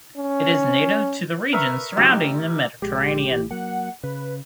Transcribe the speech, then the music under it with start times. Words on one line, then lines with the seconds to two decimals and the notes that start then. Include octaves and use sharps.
It is native to the regions surrounding the Mediterranean.
0.17 C#4
1.53 A#4 B4 E5 C#6
1.97 G#1 C#3 F#3 G4
2.11 A1
2.82 A#1 G#3 G4
3.31 A#1 E3
3.51 F#3 A#3 F#5
4.03 C#3 B4